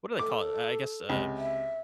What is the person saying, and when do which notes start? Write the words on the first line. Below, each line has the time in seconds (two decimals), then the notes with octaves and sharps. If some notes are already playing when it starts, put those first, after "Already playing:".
what do they call it- I I guess a
0.19 A4 D6
1.10 C#2 C3
1.37 E5